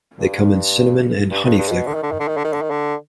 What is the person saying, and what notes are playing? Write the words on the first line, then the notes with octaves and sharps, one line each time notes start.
They come in cinnamon and honey flavor.
G2
G2
G2
G2
G#2
B2
D3
D#3
D3
D#3
D3
D#3
D3
D#3
D3
D#3
D3